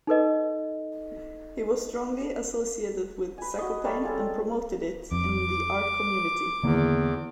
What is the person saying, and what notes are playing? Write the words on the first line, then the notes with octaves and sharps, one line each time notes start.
He was strongly associated with Zakopane and promoted it in the art community.
D#4 A4 B4 D#5
B4 G#5
F#4 D#5
G3 A4 A#4 C#5
F4 G#4 A4
C4
F2 D6
E2 D3 D#3 A#3